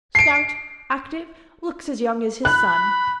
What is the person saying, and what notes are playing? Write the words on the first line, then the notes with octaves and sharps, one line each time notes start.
Stout, active--looks as young as his son.
C7 D7
B5 F#6